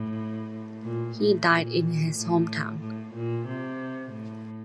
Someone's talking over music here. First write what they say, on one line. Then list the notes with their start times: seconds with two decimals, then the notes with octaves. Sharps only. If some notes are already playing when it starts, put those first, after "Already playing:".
He died in his hometown.
Already playing: A2
0.83 A#2
1.16 A2
1.49 A#2
2.15 A2
2.80 A2
3.14 A#2
3.47 C3
4.12 A2